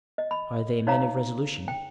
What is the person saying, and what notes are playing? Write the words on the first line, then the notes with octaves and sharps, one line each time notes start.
"Are they men of resolution?"
D#5
B5
D#4 C#5 F5 A#5
G5